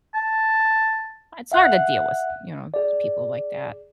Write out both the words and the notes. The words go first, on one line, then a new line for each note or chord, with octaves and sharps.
it's hard to deal with, you know, people like that.
A5
E5 F#5 F#6
G#4 D5